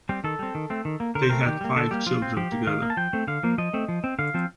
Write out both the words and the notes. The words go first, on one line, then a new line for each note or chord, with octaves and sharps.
They had five children together.
G3 C4
D#3 A4
G3 C4
D#3
A3 C4
D#3
A#3
D3 A#4
C5
A3 C4 A#4
D#3 G4
G3 A#3
D3 A4
G3 A#3 G4
F3 F4
C4
F3 G4
A#3
D#3 F5
A#3
A5
F3 G5
A3 C4
D3 F5
F3 A#3
F3 D#5
A3 C4
F3
C4
D3 F5
F3 C4